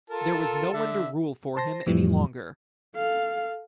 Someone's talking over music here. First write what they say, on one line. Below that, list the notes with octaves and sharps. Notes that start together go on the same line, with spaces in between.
There was no one to rule for him any longer.
F4 A4 A#4 A5
D3 E5
C5 A5 C6 A#6
F2 A2 E3 F3 G3
A4 F5